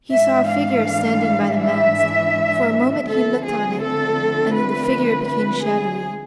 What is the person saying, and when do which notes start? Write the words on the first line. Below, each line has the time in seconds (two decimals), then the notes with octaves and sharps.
He saw a figure standing by the mast; for a moment he looked on it, and then the figure became shadowy.
0.11 G#2 E3 G#3 D4 E5
0.49 F5
1.59 E5
3.06 D3 F3 A3 C4 A4
3.44 G#4
3.80 A4
4.53 B4
5.27 B4
5.64 G#4